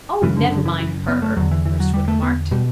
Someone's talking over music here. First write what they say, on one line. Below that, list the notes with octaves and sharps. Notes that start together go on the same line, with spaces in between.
"Oh, never mind her," Hurstwood remarked.
F#2 C#3 E3
D3
D3
E3
E3
B3
A3
E2 D3 F#3
E3
E3
F#3
G3
A3
B3
B2 G3